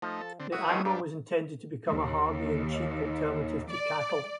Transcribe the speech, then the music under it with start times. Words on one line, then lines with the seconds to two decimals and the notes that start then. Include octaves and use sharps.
The animal was intended to become a hardy and cheap alternative to cattle.
0.02 F3 A3 D#4
0.21 A4
0.40 D3 C4
0.52 E4 F#4 C#5 D#6
0.68 B2 D#3 G#3
0.85 G2 G3 D4
1.90 D#2
3.71 D5